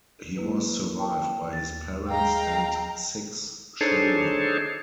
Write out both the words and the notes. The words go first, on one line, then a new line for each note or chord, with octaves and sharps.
He was survived by his parents and six children.
A#3 E4 B4
G5 A5
D#2 A6
G#4 D#5 F5 G5 A#5
D4 D#4 G#4 A4 C5 C#5